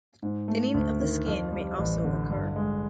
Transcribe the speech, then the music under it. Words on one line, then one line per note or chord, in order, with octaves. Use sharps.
Thinning of the skin may also occur.
G#2
A3
D2
D#3
F2
G3
A1
D3
G2
G#3